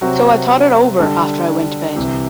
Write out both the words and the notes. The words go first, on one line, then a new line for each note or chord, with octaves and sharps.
So I thought it over after I went to bed.
C3 F#3 C4 F#4
D3 G3 D4 A4
C2 C3 E3